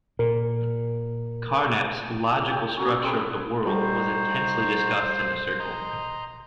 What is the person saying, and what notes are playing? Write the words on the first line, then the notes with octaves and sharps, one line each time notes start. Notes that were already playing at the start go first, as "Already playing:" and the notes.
Carnap's "Logical Structure of the World" was intensely discussed in the Circle.
A#2 A#4
C#5 G5
F#3 C#4
C4 G#4 A4 B4
G3 D#4 F#4 G4 A4 C5
D#5 A#5 C6